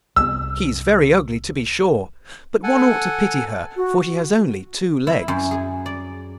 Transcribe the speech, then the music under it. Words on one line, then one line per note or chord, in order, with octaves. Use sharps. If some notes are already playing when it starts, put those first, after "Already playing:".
She is very ugly to be sure, but one ought to pity her for she has only two legs.'
C2 B3 E6
A4 F#5 G#5
F#4
E4
F#2
G#4
D5